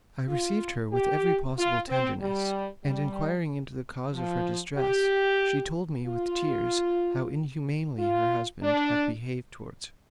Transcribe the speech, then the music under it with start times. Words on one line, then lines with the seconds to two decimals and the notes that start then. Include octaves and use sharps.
I received her with every possible tenderness, and inquiring into the cause of her distress, she told me with tears how inhumanly her husband had behaved towards her.
0.28 F4
0.93 G4
1.57 F4
1.89 C4
2.21 G3
2.85 G3
4.14 F3
4.78 G4
6.06 F4
7.98 F4
8.62 D4